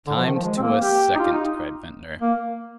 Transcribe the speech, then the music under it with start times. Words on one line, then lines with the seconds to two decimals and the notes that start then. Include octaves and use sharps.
"Timed to a second!" cried Ventnor.
0.06 D3
0.15 F3
0.26 D#3
0.34 F3
0.43 G#3
0.57 C4
0.62 A#3
0.82 G4
1.15 D#4
1.19 F4
1.32 D#4
2.21 A#3